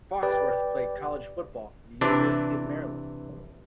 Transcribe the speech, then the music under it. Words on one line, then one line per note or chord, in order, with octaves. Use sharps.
Foxworth played college football for the University of Maryland.
G4 B4 D5 G5
C3 E3 D4